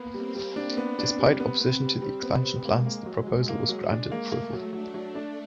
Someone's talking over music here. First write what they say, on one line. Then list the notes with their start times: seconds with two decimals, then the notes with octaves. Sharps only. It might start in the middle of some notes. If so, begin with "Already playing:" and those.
Despite opposition to the expansion plans, the proposal was granted approval.
Already playing: A#3 B3
0.14 G3 C4
0.35 G3
0.56 D4
0.77 B3
0.99 D4
1.19 G3
1.40 B3
1.60 B3
1.81 G3
2.02 G3
2.23 B3
2.44 G3
2.65 G#3 A#3
2.86 A#3
3.06 F#3
3.27 F#3
3.48 G#3 A#3
3.69 F#3
3.91 D4
4.12 A#3
4.31 A3 A#3
4.53 F#3
4.73 F#3 D4
4.94 F#3
5.15 D4